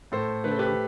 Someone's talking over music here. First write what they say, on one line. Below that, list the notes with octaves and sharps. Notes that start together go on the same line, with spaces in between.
you know,
A2 A4 C5
A3 B4
A4
G4 B4